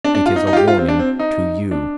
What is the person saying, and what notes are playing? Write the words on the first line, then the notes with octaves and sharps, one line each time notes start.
It is a warning to you.
D4
D4
F4
D#4
D#4
F4
G4
F4
C4
D4
C4
D#4
D4